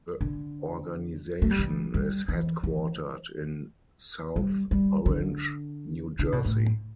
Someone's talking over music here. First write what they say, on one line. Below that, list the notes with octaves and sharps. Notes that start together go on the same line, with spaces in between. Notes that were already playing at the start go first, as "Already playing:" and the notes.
The organization is headquartered in South Orange, New Jersey.
D3
A3
G3
E3
G3
E3
E3
G3
G3
D3
D3
B2
A2